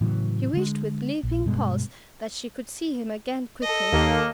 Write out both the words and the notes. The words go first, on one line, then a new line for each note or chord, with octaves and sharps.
She wished with leaping pulse that she could see him again quickly.
A2 C#3 E3 F#3
D3 G#3
A#1
G2 B2 G#3
A4 D#5
D#2 A#3